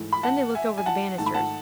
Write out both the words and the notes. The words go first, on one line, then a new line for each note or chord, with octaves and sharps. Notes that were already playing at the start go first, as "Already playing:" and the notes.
Then they looked over the banisters.
Already playing: G#2 E3 A3
B5
F#5 A5
E5 G#5
G#5
F#5 A5
G#2 D#3 A3 A5
B5
F#5 A5